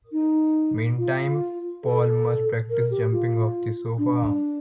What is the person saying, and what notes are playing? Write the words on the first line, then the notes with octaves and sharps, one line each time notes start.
Meantime Paul must practise jumping off the sofa arm.
D#4
F4
A4
A#4
G4
F4
D4